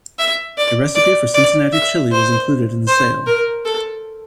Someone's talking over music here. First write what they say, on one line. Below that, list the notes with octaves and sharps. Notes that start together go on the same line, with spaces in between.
A recipe for Cincinnati chili was included in the sale.
E5
D5
D5
D5
E5
C5
C5
A#4
A4